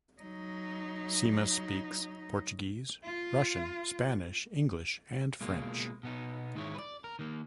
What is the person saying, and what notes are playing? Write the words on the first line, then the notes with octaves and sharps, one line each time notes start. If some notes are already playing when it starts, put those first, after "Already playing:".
Simas speaks Portuguese, Russian, Spanish, English and French.
F#3 D#4
F4
B2 G#3 A#3 F4
B2 B3 D#4
G#2 D#3 G#3 E4 C#5
B4 D5
A#4
D#3 A#3